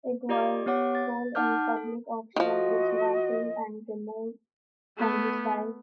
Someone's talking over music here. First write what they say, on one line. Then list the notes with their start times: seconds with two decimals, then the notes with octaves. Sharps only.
It was sold in a public auction, dismantled and removed from the site.
0.29 F4 G4 D5 D#5 D6
0.66 B3 G4 C#5 F#5 D6
0.95 A6
1.35 D#4 F#5 A5 D6 F6 G6
1.76 A4
2.36 D#3 F3 F#4 D#5
4.97 A3 B3